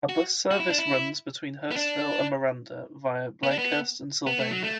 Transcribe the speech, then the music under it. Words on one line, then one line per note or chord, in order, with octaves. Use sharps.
A bus service runs between Hurstville and Miranda via Blakehurst and Sylvania.
F#4
F#4
E4
D4
E4
B3
D4
B3
D4
B3
B3
A3
F#3
A3